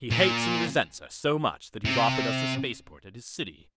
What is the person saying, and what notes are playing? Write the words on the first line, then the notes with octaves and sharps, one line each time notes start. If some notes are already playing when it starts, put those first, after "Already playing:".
"He hates and resents us so much that he's offered us a spaceport at his city...."
A#2
C3